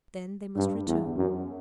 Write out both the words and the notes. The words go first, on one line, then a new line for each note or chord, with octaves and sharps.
Then they must return.
G2
E2
F#2